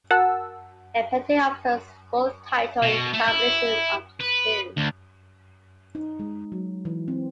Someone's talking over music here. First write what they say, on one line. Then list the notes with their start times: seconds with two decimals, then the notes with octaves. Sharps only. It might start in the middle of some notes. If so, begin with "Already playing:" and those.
A petty officer's full title is a combination of the two.
0.11 F#4 A#4 F#5 A5 E6
2.83 B2
3.13 A3
3.27 E4
4.21 B4
4.77 D2
5.95 D#4
6.20 G#3
6.52 F#3
6.85 E3
7.08 C4